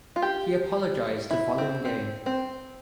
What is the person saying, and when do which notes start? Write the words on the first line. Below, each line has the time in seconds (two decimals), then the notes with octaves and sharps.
He apologised the following day.
0.16 F4
0.22 G4
1.31 E4
1.58 C4
1.85 C4
2.26 C4